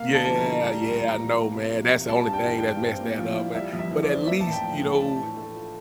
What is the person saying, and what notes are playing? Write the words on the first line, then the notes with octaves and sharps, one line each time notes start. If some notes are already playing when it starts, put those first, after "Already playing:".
Yeah, yeah, I know, man, that's the only thing that messed that up, but but at least, you know
Already playing: A#3 F5
D3
A5
F3
A#5
E4
G3 A#5
A2
A#5
E3
A#5
A#3
A#3
C3
F3
C3
G3 A5
A5
G2
G5
E3
G5
G2
C4
A#2
F3
E4
G3 E5
F2
E5
E3
D5
C4
A#3 E5
A5
A2
G5
F3
A5
A2
D4 A5
E3
A3
F4